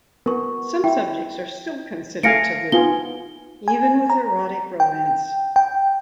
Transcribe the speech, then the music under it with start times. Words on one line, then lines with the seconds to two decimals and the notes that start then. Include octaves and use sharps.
Some subjects are still considered taboo, even with erotic romance.
0.26 B3 A#4 C#6
0.84 E4 G5
2.23 A3 F5 G#5 A#6 C#7 D7
2.72 B3 D#4 F4 G#5 G7
3.68 G#5
4.10 A#5
4.80 G5
5.56 G5